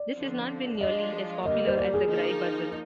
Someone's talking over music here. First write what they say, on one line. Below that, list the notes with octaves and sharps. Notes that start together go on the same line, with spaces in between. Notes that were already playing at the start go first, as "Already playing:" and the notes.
This has not been nearly as popular as the gry puzzle.
Already playing: D5
D3 F3 C4
F3 G#3 D4 F4 D#5
D3 G3 A#3 D#5
C5
D5
G#4
F3 A#3 D#4